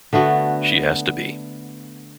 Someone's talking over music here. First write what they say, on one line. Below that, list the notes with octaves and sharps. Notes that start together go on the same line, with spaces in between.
She has to be.
D3 A3 B3 F#4